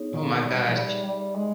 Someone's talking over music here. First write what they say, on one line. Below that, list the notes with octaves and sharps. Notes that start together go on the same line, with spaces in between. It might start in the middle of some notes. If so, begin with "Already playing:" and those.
Oh my gosh.
Already playing: B3 D#4 G#4 C#5
A#2
D#3
C#3
D#3
G3 D#4 G#4 C#5 E5
G3
E3
G3
G3
G#3